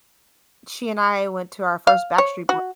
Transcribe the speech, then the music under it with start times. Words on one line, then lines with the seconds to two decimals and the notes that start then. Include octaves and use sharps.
she and I went to our first Backstreet Boy
1.87 F5
2.18 C#5
2.49 F#4